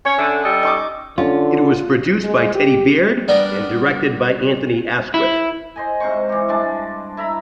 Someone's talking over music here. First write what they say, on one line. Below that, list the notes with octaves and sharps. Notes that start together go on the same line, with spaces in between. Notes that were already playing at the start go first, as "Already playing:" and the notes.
It was produced by Teddy Baird and directed by Anthony Asquith.
C#4 C#5
D3 E5
G3 A4 D#5
D#4 C#6 D6
D3 C#4 F4
G#3
G4
G3 B3 D4 A#4
E4
C5 D#5 G#5
G#2 C3 C5 C#6
E3 G4
G2 G#3 D4 A5
E4 E5 A#5 B5